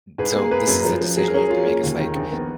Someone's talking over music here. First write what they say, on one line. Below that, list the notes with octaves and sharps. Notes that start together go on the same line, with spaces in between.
n so, this is a decision you have to make, it's, like,
G#2 G#4 B4
A#3 G#4
A#3 G#4 B4
F#2
F3
F3
F#3 G#4
A#4
C#4 G#4
F4
A#3
D#2
D#3
A#1
B3